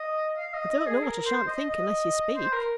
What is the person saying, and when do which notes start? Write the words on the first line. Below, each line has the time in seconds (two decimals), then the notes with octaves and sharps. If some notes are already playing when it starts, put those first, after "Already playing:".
I don't know what I shan't think unless you speak.
Already playing: D#5
0.37 F5
0.54 D#5
0.70 D#5
0.87 G#4
1.03 A#4
1.26 C5
1.47 D#5
1.70 D#5
2.36 C5
2.52 A#4